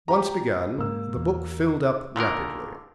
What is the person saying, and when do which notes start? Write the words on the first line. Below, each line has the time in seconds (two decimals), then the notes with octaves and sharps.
Once begun, the book filled up rapidly.
0.08 G4 A#5
0.78 G#2 A#3 E6
1.16 E2
2.16 A#2 D3 D#3 A#4